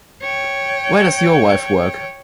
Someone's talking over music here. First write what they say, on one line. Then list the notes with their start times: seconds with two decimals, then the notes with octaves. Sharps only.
Where does your wife work?
0.22 C#5 G5